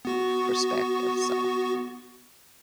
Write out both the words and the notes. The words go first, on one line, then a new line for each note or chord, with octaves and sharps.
perspective, so
B3 F#4 C#6